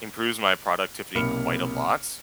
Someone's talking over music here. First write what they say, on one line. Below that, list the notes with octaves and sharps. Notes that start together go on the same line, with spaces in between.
improves my productivity quite a lot,
B1 C3 A#3 B5 F6 C#7